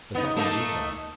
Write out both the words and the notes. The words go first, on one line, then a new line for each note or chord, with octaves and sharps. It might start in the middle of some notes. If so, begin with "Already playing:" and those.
But something is done.
B3 D#4
A3 A#3 D#4